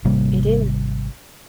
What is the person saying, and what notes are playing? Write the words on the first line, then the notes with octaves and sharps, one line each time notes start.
It is.
G#1 C3 G3 A#3